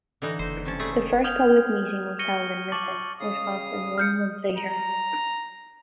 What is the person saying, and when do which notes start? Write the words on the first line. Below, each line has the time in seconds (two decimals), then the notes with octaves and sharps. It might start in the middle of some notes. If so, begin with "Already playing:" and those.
The first public meeting was held in Ripon, Wisconsin one month later.
0.22 D3 E3 D#4
0.39 F#1 C5
0.65 C3 C#4 A5
0.79 G3 A3 G#4
1.24 D#6 F6 G6 G#6 F7
2.19 C#6 F6 A#6 C#7 D#7 G7
2.72 A5 C#6 D6 A6 F#7
3.19 C#3 F5 D#6
3.98 F6 G6 C#7
4.58 A#5